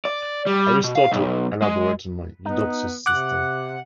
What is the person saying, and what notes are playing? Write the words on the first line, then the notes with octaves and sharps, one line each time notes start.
Aristotle elaborated on Eudoxus' system.
D5
G3
B2
F5
B1
G#3
B3 D#4
C3 F#5 D6 F#6